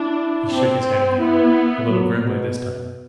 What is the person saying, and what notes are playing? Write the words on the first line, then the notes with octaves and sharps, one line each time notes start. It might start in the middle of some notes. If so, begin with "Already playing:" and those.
He shook his head again--a little grimly this time.
Already playing: D4 E4
C4
B3 E4
F#3
B2
B2